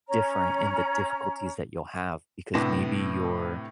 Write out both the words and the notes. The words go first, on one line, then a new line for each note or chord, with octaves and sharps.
different in the difficulties that you'll have because maybe you're,
C#4 C#5 A#5
A2 C3 B3 D4 A#6 E7